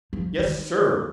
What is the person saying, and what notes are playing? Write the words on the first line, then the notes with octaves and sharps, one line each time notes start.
"Yes, sir!"
F3
D#3